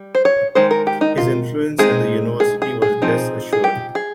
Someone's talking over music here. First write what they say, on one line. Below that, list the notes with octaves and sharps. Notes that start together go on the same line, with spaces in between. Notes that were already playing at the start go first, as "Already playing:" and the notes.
His influence in the University was less assured.
Already playing: G3
C5
C#5
D#3 G#3 C5
A#4
G4
D#4
F4
G#3 C4 D#4 G#4
G#4
G#4
G#4
F3 C4 D#4
G#4
G4
G#4